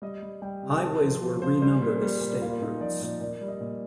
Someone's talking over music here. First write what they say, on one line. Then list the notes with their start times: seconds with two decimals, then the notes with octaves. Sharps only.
Highways were renumbered as state routes.
0.02 G3 D#5
0.22 G3
0.42 G3 G5
0.63 C3
0.81 C3 A5
1.01 F3 C5
1.22 F3
1.42 F3 C5
1.61 G3 C5
1.82 A#2
2.01 G3
2.21 A#2
2.42 A#2 F4
2.61 A#2 D#4
2.81 F3 D5
3.01 A#2 D5
3.21 A#2 D5
3.41 G3
3.48 D#5
3.61 A#2